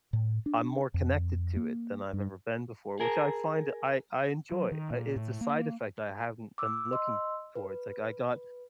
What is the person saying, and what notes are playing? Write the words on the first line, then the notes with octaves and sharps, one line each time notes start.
I'm more connected to it than I've ever been before, which I find I I enjoy. I it's a side effect I haven't been looking towards. Like, I got
A2
D4
F2
A#3
G2
G#4 A#4
F#3
D#3
A#2
A2
A#3
D6 E6
D#5 C6 E6
B4